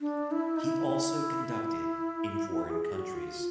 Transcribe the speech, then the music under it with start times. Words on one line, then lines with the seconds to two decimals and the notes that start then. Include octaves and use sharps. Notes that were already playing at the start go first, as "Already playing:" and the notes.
He also conducted in foreign countries.
0.01 D4
0.31 E4
0.57 D#4
0.61 E4
2.70 G#4
2.93 F#4
3.15 F4